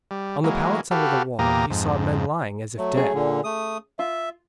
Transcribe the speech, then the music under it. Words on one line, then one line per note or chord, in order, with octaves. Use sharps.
On the pallets under the wall he saw men lying as if dead.
G3
E3 F#3 G#3 A#3
F#4 G4 A4 B4 F5
E2 A#2 A#3 G4 A#5 D#6
F2 G#2
F#3 A3
C#4 G#4
A#2 D3
A3 D#6
F4 E5